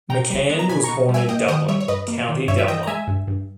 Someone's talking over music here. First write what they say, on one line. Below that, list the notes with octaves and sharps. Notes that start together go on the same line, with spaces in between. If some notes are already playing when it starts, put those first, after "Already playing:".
McCann was born in Dublin, County Dublin.
B2 G5 A#5
G3
B3
A#5
B2 G#5 B5
B2 A#5 C#6
G3
E5 G#5
A#3 D#5 G5
D#3 D#5 G5
G3 C#5 E5
C#5
G2 B4 D#5
A#3
D#3
G2 C#5 E5
E5
E3 D#5 G5
A#5
G#3 E5 G#5
G2
G2